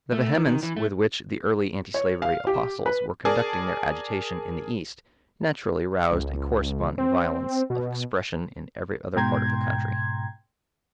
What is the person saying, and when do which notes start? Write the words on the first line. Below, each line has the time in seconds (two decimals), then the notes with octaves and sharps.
The vehemence with which the early antislavery apostles were conducting their agitation in the East naturally roused a corresponding violence of expression in every other part of the country.
0.12 A3
0.33 D#3
0.45 D#3
0.63 E3
0.76 A3
1.94 C#5
2.22 F5
2.47 G4
2.86 B4
3.25 G#4 A#4 D5 A5
6.12 C#2
6.98 C4
7.70 B2
9.16 G#2 B2 G5 A#5 C6 G#6